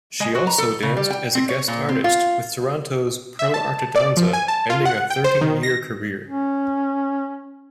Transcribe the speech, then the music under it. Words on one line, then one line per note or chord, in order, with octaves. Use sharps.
She also danced as a guest artist with Toronto's ProArteDanza ending a thirty-year career.
G#3
F#4
A#5
A4
C#3
G3
G5
C4
C#5
A#2
C4
F4
E5
A5
D5
F3
G#5
A5
F4
F#5
G5
C5
D#3
A#6
C#4